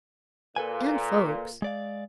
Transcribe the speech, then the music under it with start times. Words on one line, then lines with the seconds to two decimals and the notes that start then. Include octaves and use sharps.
And folks.
0.56 A#2 A4 B4 G#5
1.62 G#3 D5 F5